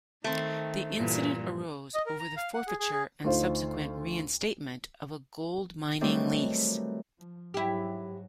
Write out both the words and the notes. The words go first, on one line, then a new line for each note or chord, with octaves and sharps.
The incident arose over the forfeiture and subsequent reinstatement of a gold mining lease.
D#3 A3 C4
G2 A#2 E3
D#5
A#4
A#5
F5
F#5
G#4
G#4
G#4
D2 D#4 F4 C5
D#3 E3 F#3 G3 A3 C4
F3
G#2 F#3 E4 G4